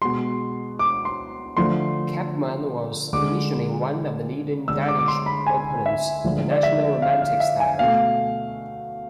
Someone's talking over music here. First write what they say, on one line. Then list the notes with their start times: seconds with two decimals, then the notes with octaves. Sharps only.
Kampmann was initially one of the leading Danish proponents of the national romantic style.
0.02 B2 G#3 C6
0.79 D6
1.05 C6
1.57 D3 F3 A3 C6
3.13 D3 G#3 D6
4.68 D3 G#3 E6
4.88 D6
4.99 D6
5.08 C6
5.26 B5
5.47 G#5
5.86 E5
6.24 D3 F3 G#3
6.51 D5
6.63 E5
7.02 F5
7.22 F5
7.40 E5
7.60 G#5
7.79 B2 A3 F5